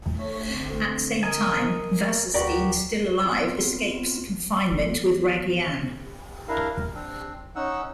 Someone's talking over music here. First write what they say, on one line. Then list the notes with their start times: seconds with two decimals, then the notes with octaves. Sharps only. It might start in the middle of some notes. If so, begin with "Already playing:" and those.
At the same time, Wasserstein, still alive, escapes confinement with Raggy Ann.
0.15 A3 C#5
0.50 D3 C4
0.69 A3
1.23 A#4 D#5 G#5
2.34 D2 F#4 G4 A#4 B4 D5
3.25 B3 C4 F4
4.72 E3 B3
6.48 D4 E4 A#4 F5
6.75 A#4
6.94 C4 D4
7.56 C#4 D#4 F#5 E6